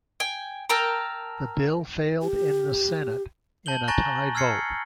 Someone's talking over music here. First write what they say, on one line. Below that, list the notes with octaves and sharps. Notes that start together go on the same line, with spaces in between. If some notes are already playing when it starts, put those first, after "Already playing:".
The bill failed in the Senate in a tie vote.
G5 G#5
A#4 G5 A5 A#5 E6 F6
G4
A5 G6 F#7 G7
G#5 A#5 C#6 F#6 A6 A#6
E6 F6 G#6 C7 C#7